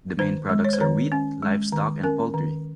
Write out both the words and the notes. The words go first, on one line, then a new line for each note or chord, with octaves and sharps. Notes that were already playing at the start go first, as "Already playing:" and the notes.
The main products are wheat, livestock, and poultry.
D#3 C5
G#3
C#5
C5
D#3 C#5
C#4
G#3
D#3
C#4 A#4
D#3